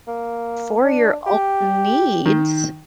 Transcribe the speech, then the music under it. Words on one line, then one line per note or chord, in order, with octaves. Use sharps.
for your own needs,
A#3
D4
G4
D#3